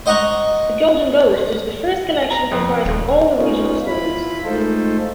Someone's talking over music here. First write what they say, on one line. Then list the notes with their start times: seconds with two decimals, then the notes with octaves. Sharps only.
"The Golden Ghost" is the first collection comprising all-original stories.
0.06 C5 D#5 F#5 A#5 C#6
2.31 A#5
2.52 F2
2.85 D#1
3.35 B3 C#4 D#4 F4
3.87 E4 F4 B5
4.45 G#3 A3 D#4 F4 A4 C5